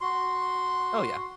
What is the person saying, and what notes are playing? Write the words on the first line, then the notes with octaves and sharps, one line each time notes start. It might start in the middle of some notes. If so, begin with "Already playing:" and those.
Oh, yeah.
F#4 C6